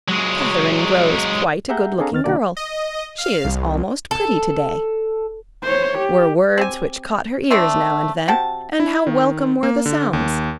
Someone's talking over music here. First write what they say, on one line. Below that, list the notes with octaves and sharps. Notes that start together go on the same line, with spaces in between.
"Catherine grows quite a good-looking girl--she is almost pretty today," were words which caught her ears now and then; and how welcome were the sounds!
F#3 G#3
G4 G#4 E5 F#5 A#5 G6
C4 D4 G#4 A4 F5 A#5
D2 D#3 F6 A6
C2 D#3 A#3 D4 G4 D5
D#5
F5
C2
A4
C5 C#5
G4
C4 G4 G#5
A3 C4 D4
C3 F#4 G5 A5
E4
D#3
A#3
D3
D#2